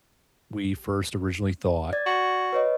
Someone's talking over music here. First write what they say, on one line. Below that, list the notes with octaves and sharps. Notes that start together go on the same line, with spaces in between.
we first originally thought,
D5 G#6 A6
F#4
B4 C#5 D#5